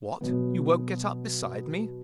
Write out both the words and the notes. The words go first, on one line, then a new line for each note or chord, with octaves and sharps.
"What--you won't get up beside me?"
B2 F#3 B3